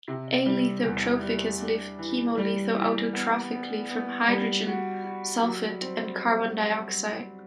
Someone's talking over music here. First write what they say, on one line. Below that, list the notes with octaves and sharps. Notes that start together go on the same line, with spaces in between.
A. lithotrophicus live chemolitho-autotrophically from hydrogen, sulfate and carbon dioxide.
C3
G3
E2
G3
D4
E3
G3
E3
B3
B3
B3
G3
F#4
F#4
F#3
C4